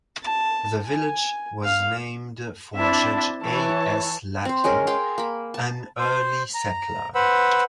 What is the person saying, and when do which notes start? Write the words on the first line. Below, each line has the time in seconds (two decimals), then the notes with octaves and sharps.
The village was named for Judge A. S. Latty, an early settler.
0.24 A5
0.86 G#5
1.64 F5
2.76 C4 D4 E4 E5 A5
3.42 E3 E4 C#5 A5
4.45 C4 C5
4.64 G#3 C#4 G#4 A#4
4.87 G#4 F5 G5 C6
5.18 A#3 B5
5.54 A5
5.99 C5
6.54 A#5
7.15 B4 C5 F#5 B5 E6